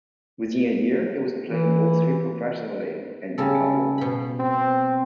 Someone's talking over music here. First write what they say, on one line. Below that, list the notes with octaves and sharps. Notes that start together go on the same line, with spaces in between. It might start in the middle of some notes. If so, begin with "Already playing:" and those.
Within a year he was playing all three professionally and in public.
E3
C#3 G3 A4
B2 B5
C4